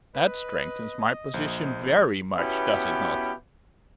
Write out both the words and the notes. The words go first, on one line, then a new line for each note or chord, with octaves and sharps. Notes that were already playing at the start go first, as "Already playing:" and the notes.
That strengthens my position very much, does it not?
B4 D#5
A#1 C5
B2 B3 C#4 E4 G4